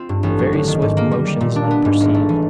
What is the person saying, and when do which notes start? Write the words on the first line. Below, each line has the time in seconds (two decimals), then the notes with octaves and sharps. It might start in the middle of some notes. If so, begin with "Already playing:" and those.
Very swift motions unperceived.
Already playing: C4 F4
0.09 G2
0.23 A1
0.39 F#3
0.53 D3
0.68 D#3
0.82 G#2
0.97 A#3
1.11 G3
1.27 G3
1.41 A#2
1.56 D4
1.71 B3
1.85 G#2
2.00 G#1
2.14 A3
2.29 E3